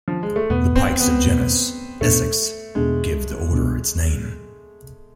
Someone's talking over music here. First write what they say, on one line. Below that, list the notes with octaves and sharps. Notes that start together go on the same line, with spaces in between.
The pikes of genus "Esox" give the order its name.
F3
G#3
A3
E2 B2 A3 B3
C4
B3
E2 B2 A3
E2 B2 A3 B3 D4
E2 B2 G#3 B3 D4
C2 B2 B3 D4